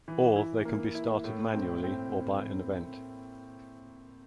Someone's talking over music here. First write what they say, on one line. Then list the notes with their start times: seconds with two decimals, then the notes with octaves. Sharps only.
Or, they can be started manually or by an event.
0.08 E3
0.36 E4
0.65 A#3
0.95 E4
1.24 A2
1.53 C4
1.84 C4